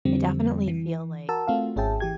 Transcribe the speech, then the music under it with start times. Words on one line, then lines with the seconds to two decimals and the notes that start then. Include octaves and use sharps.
I definitely feel like,
0.05 F2 D3 F3 G3 C4
0.68 E3
1.29 F#4 A#4 A5 E6
1.47 A3 C4 F4 F#4 F5
1.76 G#1 C#4 G#4 E5 G5 A5
2.00 E3 G4 G#6